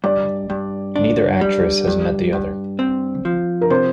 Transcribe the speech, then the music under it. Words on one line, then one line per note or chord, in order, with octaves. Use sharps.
Neither actress has met the other.
G2 D5
G2
D4
G3
G2
G2
C4
F3
A#4
C3 C5